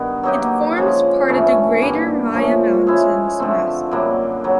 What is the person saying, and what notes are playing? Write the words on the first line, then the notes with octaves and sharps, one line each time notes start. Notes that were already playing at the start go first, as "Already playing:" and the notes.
It forms part of the greater Maya Mountains massif.
Already playing: G2 D#3 B3 D#4
F#3 A#3 D#4 G4
C#3 F3 G#3 C#4
G2 E3 A3 C#4
G2 D3 G3 A#3
A#2 F3 A3 C#4
G#3 C#4 E4
D3 F3 A3 C4
F#2 D3 G3 A#3
C#3 F#3